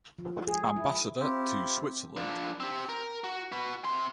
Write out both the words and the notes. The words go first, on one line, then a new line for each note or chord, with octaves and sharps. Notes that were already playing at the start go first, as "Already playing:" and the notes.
Ambassador to Switzerland.
F3
G#4
E4
C4 E4 F4 G4
F3 D4
C4 G4
A#4
F#4
F#4 B4
C3 C6